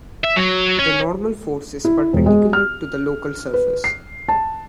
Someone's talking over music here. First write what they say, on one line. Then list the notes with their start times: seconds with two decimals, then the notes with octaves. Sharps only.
The normal force is perpendicular to the local surface.
0.24 E5
0.37 F#3
0.79 C#4
1.85 E4
2.13 E1
2.26 G#3
2.53 F6
3.54 B4
3.84 C7
4.28 A5